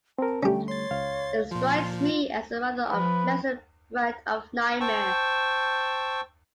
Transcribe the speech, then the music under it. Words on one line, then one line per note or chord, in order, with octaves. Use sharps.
It strikes me as a rather unpleasant brand of nightmare.
C4 A#4 A5
D3 G3 A3 C#4 G4 G5
C#5 C6 A6
C#2 F5
A#2 F3 C6
F4
F3 B4
C5 G5 A5 C#6 E6